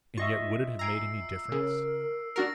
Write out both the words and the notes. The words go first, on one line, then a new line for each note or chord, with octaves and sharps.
And yet would it have made any difference?
F4 D#5 E5 C#6
G#5 A#5 E6 C7 D7
C#3 A#4
D4 F#4 A#4 A6 A#6 D7